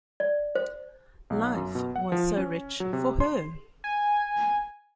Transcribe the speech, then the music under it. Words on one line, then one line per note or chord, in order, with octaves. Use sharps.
Life was so rich for her.
D5
C5
B1
F#2
B2
F#5
F3
C#4
F#3
C3
C6
G#5